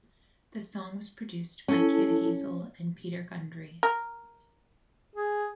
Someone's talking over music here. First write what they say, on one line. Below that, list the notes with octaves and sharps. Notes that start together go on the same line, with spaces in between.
The song was produced by Kid Hazel and Peter Gundry.
C#4 E4 A4 A5
A#4
G#4